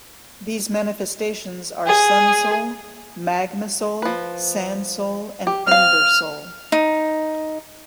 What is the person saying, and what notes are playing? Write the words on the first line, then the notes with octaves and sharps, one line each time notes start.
These manifestations are Sunsoul, Magmasoul, Sandsoul, and Embersoul.
G#4
F3 B4
G4
C4 F5 F6
D#4